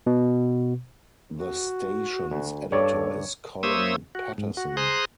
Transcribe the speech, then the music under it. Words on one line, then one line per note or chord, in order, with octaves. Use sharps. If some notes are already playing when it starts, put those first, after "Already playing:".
The station's editor is Colin Paterson.
B2
F#4
D2
G2 A4 C#5 D5
A#3 C5 C#5 E5 D#6 E6
F#4
G#2
F#4
G#4 C5 A#5 C6 D#6 F#6